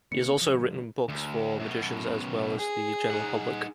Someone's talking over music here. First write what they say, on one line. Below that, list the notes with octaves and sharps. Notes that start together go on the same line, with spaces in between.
He has also written books for magicians as well as the general public.
D3 A#3 B3 C#7
G2 D3 F3
D2
F#2 B2
G#4
D#4 F#5